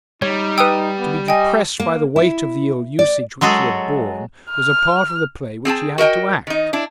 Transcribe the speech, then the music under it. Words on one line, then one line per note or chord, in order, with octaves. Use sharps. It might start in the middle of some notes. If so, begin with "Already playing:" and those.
To be depressed by the weight of the ill-usage which he had borne was a part of the play which he had to act.
G3 D#4 C#5
B4 G5 D#6 E6 D#7
B3
D#5 G5 G#5
A#3
E4
D5
F#3 G#3 F#4 G#4 A4
F6
C4 G#4 G5 A5
F#4 A#4 D#5 G5
D#3 D#4
D4 E4